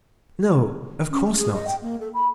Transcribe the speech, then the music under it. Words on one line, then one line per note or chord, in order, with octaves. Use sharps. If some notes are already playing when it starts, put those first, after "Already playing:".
"No, of course not."
C#4
A3
G#4
D#5
G5
A#3
A4
B5